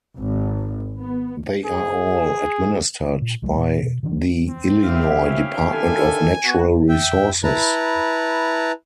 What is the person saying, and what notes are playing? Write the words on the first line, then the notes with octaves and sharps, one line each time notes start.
They are all administered by the Illinois Department of Natural Resources.
G#1
B3
G#4
A#2
C2 F#3 G#3
A#2
B2
D3 E3 F#3 D4
C4
F#2 C3 E4 G4 E5 F5
C#4
D3 D#3 A4 G#5
B3 F#4
E5 G5
E4 B4 A5 A#5